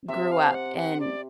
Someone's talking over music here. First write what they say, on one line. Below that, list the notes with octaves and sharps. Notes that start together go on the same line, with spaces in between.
grew up, and,
C3 E5
F5
F#5
F#5
D5